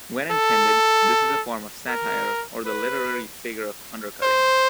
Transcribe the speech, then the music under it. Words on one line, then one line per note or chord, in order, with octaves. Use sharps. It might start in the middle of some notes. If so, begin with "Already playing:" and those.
When intended, this is a form of satire or the literary figure of undercutting.
A4
A#4
B4
C5